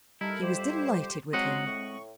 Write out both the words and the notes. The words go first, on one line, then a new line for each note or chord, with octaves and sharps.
He was delighted with him.
G3 D#4 E4 A4 A#4
F2 G4 C5
F#3 G#3 C4 D#5 F#5 C6 C#6
A2 C#6